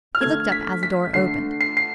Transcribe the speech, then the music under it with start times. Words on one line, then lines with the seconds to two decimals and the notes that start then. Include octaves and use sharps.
He looked up as the door opened.
0.15 F6
0.20 D3 A3 G#6
0.52 B6
0.83 B6
1.14 D3 A3 C7
1.61 C7
1.77 C7